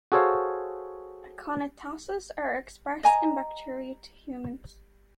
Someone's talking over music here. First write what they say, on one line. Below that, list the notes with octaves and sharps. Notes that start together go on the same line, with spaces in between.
Aconitases are expressed in bacteria to humans.
F#4 G#4 A4 C5 C#5 F5
D#5 G#5 A#5